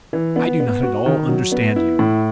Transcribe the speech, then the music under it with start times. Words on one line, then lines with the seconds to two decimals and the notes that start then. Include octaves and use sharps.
"I do not at all understand you!"
0.13 E3
0.36 B3
0.60 B3
0.83 F#4
1.06 D#3
1.29 F#3
1.52 B3
1.76 E4
1.99 A2